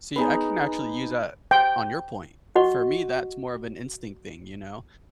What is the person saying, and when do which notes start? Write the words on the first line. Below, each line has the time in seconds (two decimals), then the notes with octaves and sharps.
See, I can actually use that on your point. For me, that's more of an instinct thing, you know?
0.16 B3 D#4 G#4
1.51 G5
2.56 F#4 D#5 F#5 C#6